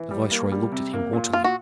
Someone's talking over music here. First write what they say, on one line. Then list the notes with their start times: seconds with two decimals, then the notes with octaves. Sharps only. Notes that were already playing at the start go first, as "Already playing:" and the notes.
The viceroy looked at him haughtily.
Already playing: E3
0.11 G3
0.31 A#3
0.52 G3
0.72 C3
0.93 A#3
1.13 A#2
1.33 A#2 F4
1.44 F#4